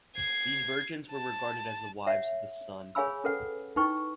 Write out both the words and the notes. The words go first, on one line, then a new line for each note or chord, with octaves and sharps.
These virgins were regarded as the wives of the Sun.
G#6 C7
A5
C#5 E5 F#5
G#4 C#5 F5 G#5 B5 E6
C#4 A4 B4 F#5
D#4 E4 B4 G5 C#6